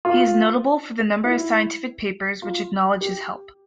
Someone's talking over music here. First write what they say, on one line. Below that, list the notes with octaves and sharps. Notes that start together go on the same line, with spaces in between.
He is notable for the number of scientific papers which acknowledge his help.
F4
E4
F4
G4